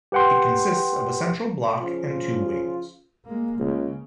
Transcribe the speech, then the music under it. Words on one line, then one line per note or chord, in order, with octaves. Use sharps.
It consists of a central block and two wings.
G4 B4 F#5 G5 C6
C#3 F3 F4
G#3 A#3
C#2 C#3